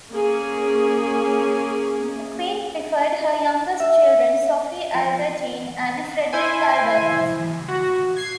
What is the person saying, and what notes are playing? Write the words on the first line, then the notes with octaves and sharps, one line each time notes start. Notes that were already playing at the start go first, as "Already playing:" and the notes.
The Queen preferred her youngest children, Sophie Albertine and Frederick Adolf.
A#3 C#4 G#4
E5
F3
E4 C5 G#5
F#4
G#6 C7